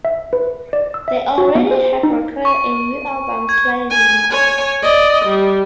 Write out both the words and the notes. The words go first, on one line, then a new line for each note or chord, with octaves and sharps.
They already had recorded a new album "Slide It In".
E5
B4
D5
E6
E5
F#4
B3
C5
D#4
C#6
G#6
G#5
C#5 G#5
D5 D#5
G3